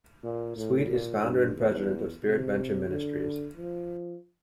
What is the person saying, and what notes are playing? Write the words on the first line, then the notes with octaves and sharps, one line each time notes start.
Sweet is founder and President of "SpiritVenture Ministries".
A#2
A2
A#2
G2
E2
C3
D3
F3